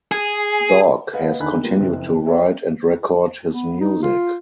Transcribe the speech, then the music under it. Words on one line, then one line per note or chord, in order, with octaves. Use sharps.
Dogg has continued to write and record his music.
G#4
B4 D#5 F5 F#5
D#2 D3 D#4 G#5 B5 F#6
G3 A#3 B3 F4
F#1 F2
A4 C#5 D5 E5
B3
D#4
F4